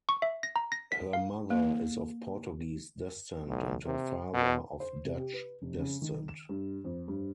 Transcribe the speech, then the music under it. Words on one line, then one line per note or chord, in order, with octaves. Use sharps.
Her mother is of Portuguese descent and her father of Dutch descent.
C#6
E5
A#6
A#5
A#6
B6
F5
A#3
B1
C3
B2
C5
C3
G4
B4
F1
C#3
D#3
E7
G2
F2
G2